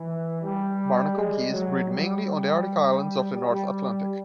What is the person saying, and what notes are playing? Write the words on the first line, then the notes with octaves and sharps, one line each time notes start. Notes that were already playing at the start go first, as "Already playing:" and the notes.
Barnacle geese breed mainly on the Arctic islands of the North Atlantic.
Already playing: E3
G3
G#3
F#3
G3
G3